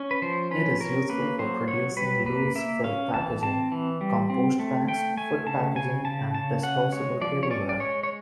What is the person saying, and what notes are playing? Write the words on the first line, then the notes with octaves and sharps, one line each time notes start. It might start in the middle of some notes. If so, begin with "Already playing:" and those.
It is useful for producing loose-fill packaging, compost bags, food packaging, and disposable tableware.
Already playing: C#4
B4
F3 C5
C#4 B4
C#4 A#4
A#3 B4
F#3 C5
F#3 C#5
G3 B4
A#3 B4
A#3 E5
C#4 F5
E3 A5
C4 A5
E3
G3
C4
A3
A3 G5
A3 G#5
C#3 A5
C#3 G#5
C#3 A5
C#3 A5
C#4 F#5
G#3 C#5
F3 D5
C#5
C#4 D5
D5
G#3 C#5
C#5